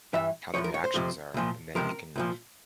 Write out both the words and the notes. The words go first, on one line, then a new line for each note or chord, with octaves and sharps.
how the reactions are. And then you can
G2 E3 E5
E2 C3 F3 C#5
A#4
C#5
C5
F2 C3 F3
C2 A#2 F3
C#2 C3 F3 A#4
C2 A#2 F3